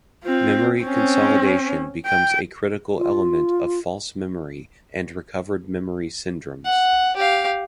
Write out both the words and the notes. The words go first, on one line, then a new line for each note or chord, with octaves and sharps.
Memory consolidation becomes a critical element of false memory and recovered memory syndromes.
C4 F4
C4 C#4
G5
F4
F#5
G4 F5